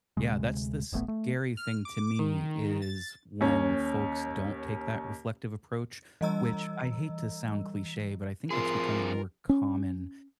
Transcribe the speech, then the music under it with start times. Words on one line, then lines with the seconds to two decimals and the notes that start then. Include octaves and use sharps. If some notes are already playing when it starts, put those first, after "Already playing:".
Yeah. That's the scary thing to me, is when folks don't take that reflective approach, which I hate to sound cliché, but I think that's becoming more common
0.17 D2 C3 G#3
0.93 D#1 A1 A3 B3
1.08 A3
1.57 F6
1.85 D6
2.19 D#3
2.82 A6
3.41 D#2 C#4
6.21 E3 G3 D#5 A#5 E6
8.50 F3 C4 F4 G#4 A#4 C6
9.49 C#4